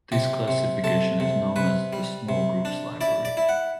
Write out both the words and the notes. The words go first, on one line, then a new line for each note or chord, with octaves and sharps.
This classification is known as the Small Groups Library.
C3 G4
C3
C3 A4
C3
C3 B4
G3
C3
D4
E4 D5
D5
E4
F#5